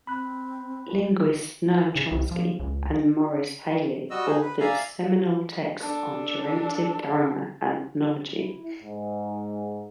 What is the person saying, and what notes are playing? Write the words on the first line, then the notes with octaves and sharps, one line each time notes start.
Linguists Noam Chomsky and Morris Halle authored seminal texts on generative grammar and phonology.
C4 B5 F#6
C#3
C2
F3
C#2
G3 F#4 D#5 E6
D#4 G#4
B4
D5 E5 F5 G#5 A#5
D4 A4
E4
G#2